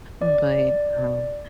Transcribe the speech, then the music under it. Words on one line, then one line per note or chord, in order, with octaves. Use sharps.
but, um,
D5